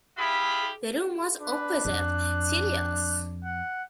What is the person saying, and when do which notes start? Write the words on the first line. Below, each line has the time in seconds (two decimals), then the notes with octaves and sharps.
The room was opposite Celia's.
0.17 E4 F4 G4 G#4 E5 B5
1.41 D4 B4
1.85 F2 F#6
3.45 F#5